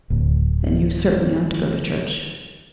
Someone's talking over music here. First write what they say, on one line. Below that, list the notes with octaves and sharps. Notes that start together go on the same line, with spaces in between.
"Then you certainly ought to go to church."
D1 D2